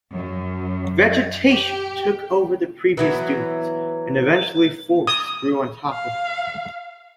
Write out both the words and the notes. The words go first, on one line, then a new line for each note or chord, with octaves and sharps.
Vegetation took over the previous dunes, and eventually forests grew on top of them.
F#2
G4
E3 F#3 B3
D#6
F5